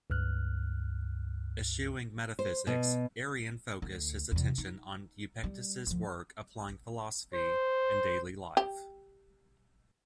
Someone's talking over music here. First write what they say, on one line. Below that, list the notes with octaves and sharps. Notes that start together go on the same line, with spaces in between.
Eschewing metaphysics, Arrian focused his attention on Epictetus's work applying philosophy in daily life.
C#2 G2 F6 F#6
C5
B2
D2
E2 C3
D#4
G3
D2 F3
C5
G4